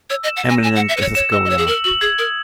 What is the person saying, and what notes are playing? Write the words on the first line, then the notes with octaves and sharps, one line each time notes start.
Eminent as a Scholar.
C#5 E6
D#5
E7
F#5
G#5 A#6
G#5 E7
F#5
C#7
E5
B4 C#5 C#7
C#5 E7
D#5 E6
D#5
C#5 E6
G#4
A#4 F#7
F#4 F#7
G#4 G#6
A#4 D#6